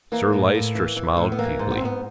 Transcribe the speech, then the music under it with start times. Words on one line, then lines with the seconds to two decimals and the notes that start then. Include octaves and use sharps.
Sir Lyster smiled feebly.
0.12 E3 A#3
0.33 A2
0.54 A2
0.75 E3
0.97 E3
1.17 A2
1.32 B3
1.38 E3 A#3
1.59 G#2
1.71 B3
1.77 C4
1.81 G#2 B3